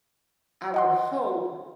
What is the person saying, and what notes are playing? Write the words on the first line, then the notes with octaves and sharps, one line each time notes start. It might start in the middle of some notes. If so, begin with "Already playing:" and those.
I would hope
D#5 F#5 C6